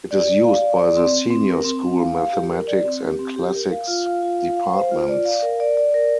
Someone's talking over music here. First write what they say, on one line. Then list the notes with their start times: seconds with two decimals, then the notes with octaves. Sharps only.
It is used by the Senior School Mathematics and Classics Departments.
0.11 D5
0.28 D5
0.44 F5
0.62 D5
0.79 D5
0.97 C4
1.13 C4
1.30 C4
1.48 A#4
1.65 C4
1.82 C4
2.00 F5
2.16 F5
2.33 G4
2.50 A#4
2.67 D5
2.85 C4
3.03 G4
3.19 C4
3.36 G4
3.54 A#4
3.70 F5
3.88 F4
4.06 F5
4.22 F4
4.40 F5
4.57 F5
4.74 C5
4.91 F4
5.09 D5
5.25 F5
5.42 A#4
5.60 D5
5.77 D5
5.94 A#4